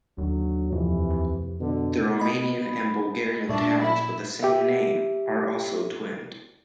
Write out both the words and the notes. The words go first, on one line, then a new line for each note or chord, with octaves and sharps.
The Romanian and Bulgarian towns with the same name are also twinned.
D#2 D3 F#3
F2 C3 E3
B2 D3
D#5 B5
A#2 D4 E5
E4
G4 E5